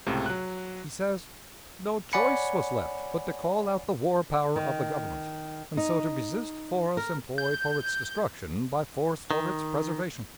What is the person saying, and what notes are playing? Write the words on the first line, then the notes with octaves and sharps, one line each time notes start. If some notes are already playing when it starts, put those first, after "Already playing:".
He says, "No choice was left but to call out the war power of the Government, and so to resist force employed for its destruction by force for its preservation."
C#2 A2 C3
F#3 F#6
C#5 D5 F#5 G#5 B5 C#7
D#3
D#4
A#4
G6
D#3